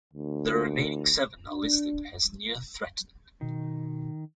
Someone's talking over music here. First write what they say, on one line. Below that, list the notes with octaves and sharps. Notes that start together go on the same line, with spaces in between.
The remaining seven are listed as Near Threatened.
D2
D4
B2 D#3